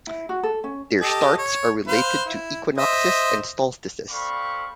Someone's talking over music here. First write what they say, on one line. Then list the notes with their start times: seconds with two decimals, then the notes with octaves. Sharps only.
Their starts are related to equinoxes and solstices.
0.07 E4
0.29 F#4
0.43 A4
0.64 C#4
1.01 G4 A4 D#5
1.38 C#5
1.88 B4 C5 F5
2.25 E4
2.78 C5 D#5 E5
4.09 C4 A4 D5 F5 B5 C#6